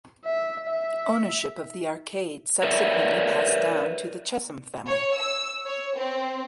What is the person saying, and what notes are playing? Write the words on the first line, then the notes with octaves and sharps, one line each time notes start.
Ownership of the arcade subsequently passed down to the Chesham family.
E5
E5
A#4 B4 C#5 D5 E5
C#5
E6
C#5
C4